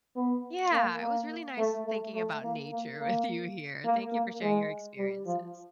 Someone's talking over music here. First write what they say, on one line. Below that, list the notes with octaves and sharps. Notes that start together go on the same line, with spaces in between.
Yeah, it was really nice thinking about nature with you here. Thank you for sharing your experiences.
B3
A#3
A#3
A3
A3
A3
A#3
A#3
A#3
A#3
A#3
G#3
G3
F3